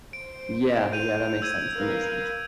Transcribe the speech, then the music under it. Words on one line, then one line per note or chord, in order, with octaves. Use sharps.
Yeah, yeah, that makes sense, that makes sense.
C5 D7
G6 D#7 F7
E6 G#6 D#7
A#4 B4 F5